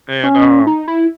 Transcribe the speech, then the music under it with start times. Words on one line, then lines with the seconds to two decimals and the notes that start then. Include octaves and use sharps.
and, um,
0.23 C#4
0.67 D#4
0.88 E4